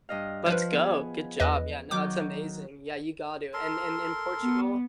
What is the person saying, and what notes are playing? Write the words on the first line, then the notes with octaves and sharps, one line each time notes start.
Let's go. Good job. Yeah. No, that's amazing. Yeah, you got to. And and in Portugal,
G2 D#5 F5
F3 B4 C5
B3 G#4
E2 B4 D#5
D#3 F#3 D6 G6
A4 A#4 C6
B3